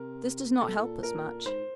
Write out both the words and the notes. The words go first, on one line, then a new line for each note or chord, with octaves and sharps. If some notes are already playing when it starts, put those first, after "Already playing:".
"This does not help us much."
Already playing: C3 A#4
B2 A4
A2
A#2
A#2 A#4
G#2 C5